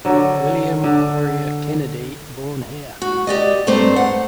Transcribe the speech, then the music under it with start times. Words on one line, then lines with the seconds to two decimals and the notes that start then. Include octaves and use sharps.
William Quarrier Kennedy born here.
0.05 D3 F#3
0.84 D3
3.02 F#4
3.27 G4 D5 D#5
3.67 G2 A3 C4 D4 C5 A#5
3.96 F#5